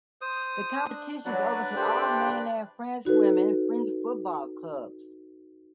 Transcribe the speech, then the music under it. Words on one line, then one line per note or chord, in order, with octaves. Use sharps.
The competition is open to all Mainland France women French football clubs.
C5 D#6
D4
F#3 D4 B4 D5
A#1 A3 G4 C5 G5
D#4 F#4 A4 B4